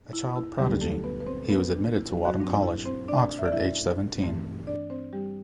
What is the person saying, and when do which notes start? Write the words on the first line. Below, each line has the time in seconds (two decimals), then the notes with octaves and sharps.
A child prodigy, he was admitted to Wadham College, Oxford aged seventeen.
0.13 E4
0.36 E4
0.58 D2 D3 F#3 G3 B3 G4
0.81 A3 A4
1.04 B3 B4
1.20 B4
1.26 C4 C5
1.45 A4
1.50 B3 B4
1.72 D4
1.95 E4
2.10 F#3 F#4
2.25 F#3 F#4
2.40 G2 F#3 C4 D4
2.63 E4
2.86 C4 C5
3.08 D4 D5
3.39 E5
3.45 D5
3.52 E4 E5
4.22 G2 E3 A3 C4
4.67 D4 D5
4.90 C4 C5
5.13 G3 G4